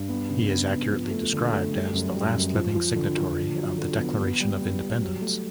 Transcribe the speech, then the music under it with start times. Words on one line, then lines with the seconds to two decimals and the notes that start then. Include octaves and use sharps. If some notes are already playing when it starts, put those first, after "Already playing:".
He is accurately described as the last living signatory of the Declaration of Independence.
Already playing: G2
0.09 B3
0.29 C#3
0.50 B3
0.70 B3
0.92 F3
1.11 A3
1.33 D3
1.52 A3
1.73 G3
1.93 F#2
2.14 G3
2.34 F#2
2.55 F3
2.75 F3
2.96 D3
3.17 F3
3.37 D3
3.58 F#3
3.78 D3
3.99 B3
4.19 B3
4.40 G3
4.61 B3
4.81 G3
5.02 F#3
5.21 A3